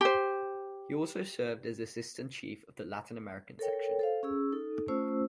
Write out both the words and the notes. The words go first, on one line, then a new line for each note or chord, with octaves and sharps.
He also served as Assistant Chief of the Latin American Section.
G4 C5
A4 A#4 C#5 G5
A4 C5 F5
C#4 G#4 E6
D#4 A4
A3 C#4 F4 C5 E6